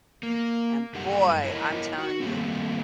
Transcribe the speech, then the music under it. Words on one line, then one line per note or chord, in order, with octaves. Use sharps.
And boy, I'm telling you,
A#3
F#2 G3 D#4 G4 A4 F#5
E4 A#4 C#5 D#5
F#4
D#3 G3 A3 A#3 C4